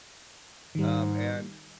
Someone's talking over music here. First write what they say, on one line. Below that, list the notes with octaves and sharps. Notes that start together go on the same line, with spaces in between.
Um, and
G#2 D#3 G3